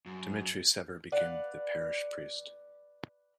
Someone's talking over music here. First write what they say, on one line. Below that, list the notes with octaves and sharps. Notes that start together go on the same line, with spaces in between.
Dimitri Sever became the parish priest.
F#2
B4 D5 F5 F#5